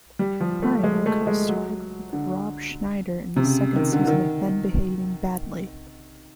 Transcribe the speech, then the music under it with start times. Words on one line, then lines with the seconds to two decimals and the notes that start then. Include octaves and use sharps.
Marino co-starred with Rob Schneider in the second season of "Men Behaving Badly".
0.19 G3
0.40 F3
0.62 A3
0.84 G#3
1.06 A3
1.27 G#3
1.49 F#3
2.13 D3
3.36 C3
3.44 C#3
3.76 D#3
3.92 D3
4.04 D3
4.07 D#3